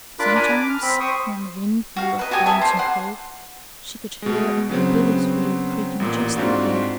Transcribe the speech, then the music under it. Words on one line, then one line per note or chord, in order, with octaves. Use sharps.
Sometimes, when the wind blew up Lonesome Cove, she could hear Uncle Billy's wheel creaking just that way.
D4 F4 A#4 B5 D6 F#6
D4 G#5 A#5 B5 D6
D6
F6
C4 B5
C5 G5 C#6 D#6
F#4 F5
B4 D#5
F#4 G4 G#5 D#6
E5 G#5 A5 B5
C5 D5
F#5 C6
B2 G#3
C#3 F#3 B3 C4
A1 A#2
G#2 C4 D4 F4 F#4